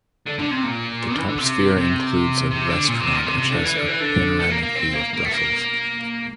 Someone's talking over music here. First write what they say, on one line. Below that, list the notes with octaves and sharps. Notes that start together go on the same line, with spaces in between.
The top sphere includes a restaurant which has a panoramic view of Brussels.
D3
D3
C3
A#2
E3
D3
C3
C3
C3
D3
A#2
C3
A#2
C3
C3
D3
E3
D3
E3
D3
A3
A#3
A#3
C4
A#3
A#3
A3
A#3